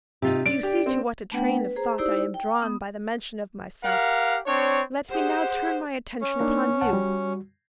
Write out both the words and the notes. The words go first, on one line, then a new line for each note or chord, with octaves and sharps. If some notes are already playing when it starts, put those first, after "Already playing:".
'You see to what a train of thought I am drawn by the mention of myself. Let me now turn my attention upon you.
C3 D#4 F4 G4
D4 D5 D7
G4
C4
A3 B3 D4 B4 F#5 G5
B4
G#4 C5 A#5
D#4 E4 G4 C5 D5 E6
G5
B3 D#6
G4 A#4 F5 F#5
C4 D4 C#5
G4 G#4 C5 F#5
C#4
A#3 D4 D#4
C2 F#5 A5
G3 F#4